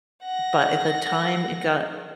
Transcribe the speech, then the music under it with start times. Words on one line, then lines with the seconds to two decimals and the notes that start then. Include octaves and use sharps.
but at the time it got
0.23 F#5 A#6